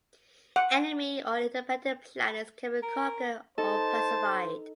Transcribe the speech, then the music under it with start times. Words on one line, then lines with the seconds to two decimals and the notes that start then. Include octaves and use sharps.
Enemy or independent planets can be conquered or pacified.
0.56 F#5
2.83 A#4
3.58 D#4 A4 C5 A5